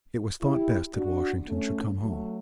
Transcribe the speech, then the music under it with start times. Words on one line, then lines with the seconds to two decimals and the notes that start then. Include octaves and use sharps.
It was thought best that Washington should come home.
0.41 E4 G4
0.94 D4 F#4
1.48 A3 C#4
2.01 F#3 A3